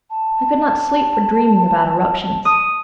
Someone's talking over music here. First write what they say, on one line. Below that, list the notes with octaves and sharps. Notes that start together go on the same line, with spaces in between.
I could not sleep for dreaming about eruptions.
A5
D#6